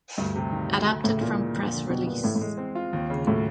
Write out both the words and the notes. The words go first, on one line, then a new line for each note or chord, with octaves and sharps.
Adapted from press release.
D2 G2
C3
D#3
F#3
D2
A2 C#3
A#2 E3
G#3
F2
D3
B2 G3
A#2 B3
A2 E3
A2
G#3
C4
F4
D#2
C#3
A2 F#3